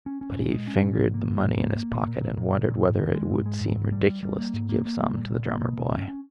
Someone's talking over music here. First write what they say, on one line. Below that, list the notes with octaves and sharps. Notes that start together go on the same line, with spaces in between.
But he fingered the money in his pocket and wondered whether it would seem ridiculous to give some to the drummer boy.
C#4
C#4
A#2
G#3
C#4
A#2
G#2
A#3
G#2
G#2
A#3
A#3
A#2
A#2
A#2
A#2
A#2
A#2
G#2
D#3
G#3
G#2
G#3
G#2
G#2
G3
G3
G3
A#3
G#2
A#3
A#3
G3
A#2
A#2
A#3
B2
B2
C#4
C#4